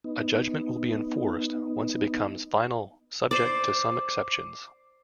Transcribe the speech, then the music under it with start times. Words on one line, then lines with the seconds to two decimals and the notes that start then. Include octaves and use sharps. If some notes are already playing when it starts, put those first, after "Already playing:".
A judgment will be enforced once it becomes final subject to some exceptions.
0.04 B3 D#4
3.31 C5 D5 D6 C7